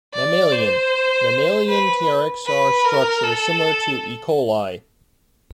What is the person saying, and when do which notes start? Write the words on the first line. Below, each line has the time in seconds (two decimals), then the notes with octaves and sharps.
Mammalian: Mammalian TrxR structure is similar to "E. coli".
0.14 D5
0.52 C5
1.68 B4
2.46 B4
2.85 A#4
3.23 A4